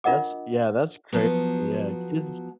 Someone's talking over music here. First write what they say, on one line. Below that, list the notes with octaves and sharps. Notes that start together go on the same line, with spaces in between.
That's yeah, that's crazy, yeah. Kids
D4 F4 A#4 D#5 F#5 D6
F3 F#3 B3